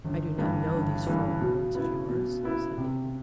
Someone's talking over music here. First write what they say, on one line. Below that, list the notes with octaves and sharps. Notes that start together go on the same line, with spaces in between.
"I do not know these foreign words of yours," said the Oak.
G1
G2 E3
G1
G2 E3
B2
B3 E4
B2
B3 E4
C3